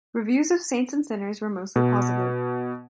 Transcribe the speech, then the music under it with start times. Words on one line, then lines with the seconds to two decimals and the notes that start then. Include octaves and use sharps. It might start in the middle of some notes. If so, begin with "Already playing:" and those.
Reviews of Saints and Sinners were mostly positive.
1.76 B2